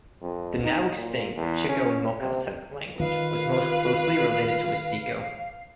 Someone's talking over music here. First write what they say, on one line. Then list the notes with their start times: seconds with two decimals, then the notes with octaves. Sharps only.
The now-extinct Chicomuceltec language was most closely related to Wasteko.
0.22 F2
0.64 D#4
0.95 A#2
1.35 E2
1.69 C#4
2.20 C3
3.00 D#3 F4 B4 F5